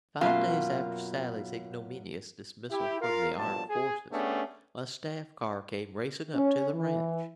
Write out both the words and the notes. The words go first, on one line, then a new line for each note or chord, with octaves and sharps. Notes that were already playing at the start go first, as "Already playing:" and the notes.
Five days after Sally's ignominious dismissal from the armed forces, a staff car came racing up to the ranch.
F#2 B2 A#3 F4
E4 G4
F4 A#4 F5
B1 G2 A#2 F3 A5
G#4
A3 B3 C#4 D4 G4 G#4
C#4
E3